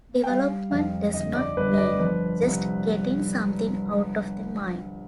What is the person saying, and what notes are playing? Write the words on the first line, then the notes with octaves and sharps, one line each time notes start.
Development does not mean just getting something out of the mind.
G5
G3 F5
F2 F5
G1 D#5
D5
G1 B4
D#5
D5
F3 B4
C2